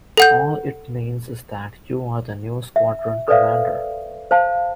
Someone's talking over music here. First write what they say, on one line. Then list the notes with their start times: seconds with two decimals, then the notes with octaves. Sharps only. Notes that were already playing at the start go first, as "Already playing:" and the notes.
All it means is that you're the new squadron commander.
0.17 A4 F#5 G6
2.76 E5
3.28 A4 B4 C5 D5 E5 F5
4.31 C5 F5 A5